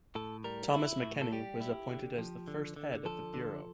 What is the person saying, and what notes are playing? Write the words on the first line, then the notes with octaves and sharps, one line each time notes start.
Thomas McKenney was appointed as the first head of the bureau.
A2 A4
G3 A#4
E4
A2
A4
G3 G4
E4
D3
F3
D3
D3
F3 A4
D3